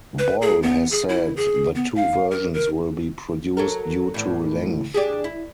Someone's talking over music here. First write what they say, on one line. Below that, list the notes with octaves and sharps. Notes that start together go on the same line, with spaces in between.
Boll has said that two versions will be produced due to length.
B4
G#4
B3
G#4
E4
G#4
B3
F5
A#4
A#4
F#3 A4 A#4
E2 A2
D4 G4 G#4
E4